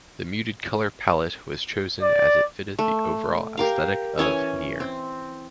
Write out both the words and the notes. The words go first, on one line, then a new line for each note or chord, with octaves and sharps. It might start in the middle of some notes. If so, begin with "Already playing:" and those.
The muted color pallette was chosen as it fitted the overall aesthetic of "Nier".
D5
A3
G4 A#4 F5
E3 C#4 C#5 G#5
C4